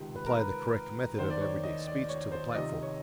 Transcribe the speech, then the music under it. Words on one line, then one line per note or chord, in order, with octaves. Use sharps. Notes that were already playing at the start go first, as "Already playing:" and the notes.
Apply the correct method of everyday speech to the platform.
Already playing: C#2 C3 D#3 G4
B4
A#4
B4
D#2 D#3 C5
D5
C#5
D#5
D5
C#5
C5
D5
F2 C3 D#3 D#5
C#5